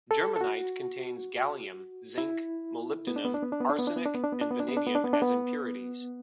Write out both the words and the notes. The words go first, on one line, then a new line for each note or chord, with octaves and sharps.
Germanite contains gallium, zinc, molybdenum, arsenic, and vanadium as impurities.
A4
A4
F#4
E4
B3
D4
B3
D4
B3
D4
B3
D4
B3
D4
B3
D4
B3
D4
B3
D4
B3
D4
B3
D4
B3
D4
B3
D4
B3